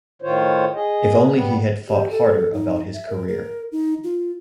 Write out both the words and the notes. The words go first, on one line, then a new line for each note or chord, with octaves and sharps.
If only he had thought harder about his career.
A2 D#3 F4 C5 C#5
G#4 D#5
G3 B3
G4
A4
D#4
E5
A#4
A#4
D#4
F4